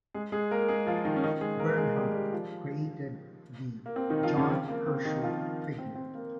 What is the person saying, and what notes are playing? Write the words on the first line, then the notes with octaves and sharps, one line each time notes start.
Burnham created the "John Herschel" figure.
G#3 G#4
G#3 G#4
A#3 A#4
G#3 G#4
F3 F4
D#3 D#4
C#4
D#3 D#4
G#3 G#4
A#3 A#4
G#3 G#4
G3 G4
G3 G4
F3 F4
A#3
C4
D#3 D#4
F3 F4
C#3 C#4
C4
A#3
C4
D#3 D#4
F3 F4
C4
C4
A#3